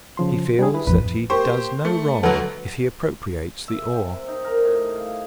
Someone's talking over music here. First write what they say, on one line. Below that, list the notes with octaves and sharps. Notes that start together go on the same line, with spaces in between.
He feels that he does no wrong if he appropriates the ore.
C#3 F3 C6
G3 D4 G#4
E4 B4
A1 F2 B4
A#3 G4 C5 C#6
A3
D2 F#3 A4 B4 F#5
E5
G5
C3
D#4
A#4
A2
F5